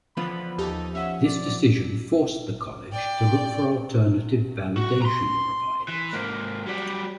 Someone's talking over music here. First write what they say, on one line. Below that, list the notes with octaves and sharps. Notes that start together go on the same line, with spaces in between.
This decision forced the college to look for alternative validation providers.
D3 E3 F3 B3 F4 B5
D#2 D#4 G4 A4
C#4 E5 F#5
D5
D5 G5
F#4
A#5 C6
E3
G#2 A#3
F#3 G3